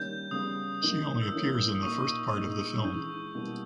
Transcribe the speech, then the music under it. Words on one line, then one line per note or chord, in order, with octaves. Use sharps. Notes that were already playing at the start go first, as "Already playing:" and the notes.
She only appears in the first part of the film.
Already playing: D#3 G3 A#3 C#4 G6
C#3 G3 B3 D#6
E3 A#3 D#4
E6
E3 A#3 C#4 E4 D#6
D#6
A#2 A#3 D#4 C#6
A#2 G#3 D#4 C#6
D#6
E6
E3 G#3 D#4 G6
B2 G3 A#3 E4